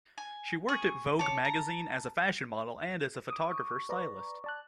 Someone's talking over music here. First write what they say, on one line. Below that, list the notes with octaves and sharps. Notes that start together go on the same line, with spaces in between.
She worked at "Vogue" magazine as a fashion model, and as a photographer's stylist.
G#5
G#4 C#6
C#5 A5 D6
A#5
D6 D#6
C#6
B4 D5 A#5
D5 A5 F#6